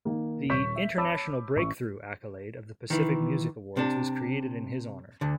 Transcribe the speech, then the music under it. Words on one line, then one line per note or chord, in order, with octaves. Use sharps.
The "International Breakthrough" accolade of the Pacific Music Awards was created in his honour.
D#3 A#3
D#1 C#5 C#6 G6 B6 E7
E5
C#5 A5 B5 D6 E6
A1 C#6
D#3 E3
C3 D4
D2 D3